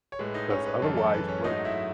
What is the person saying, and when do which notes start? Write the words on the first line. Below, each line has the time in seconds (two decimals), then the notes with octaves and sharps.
'cause otherwise, what
0.12 C#5
0.19 A2 G#3 B4
0.34 D#4 D#5
0.50 C#4 C#5
0.66 B4
0.82 F#2 E3 G#3 A4
0.98 A4
1.14 B4
1.28 C#4 C#5
1.44 G#2 F#3 A3 D#4 D#5
1.64 E4 E5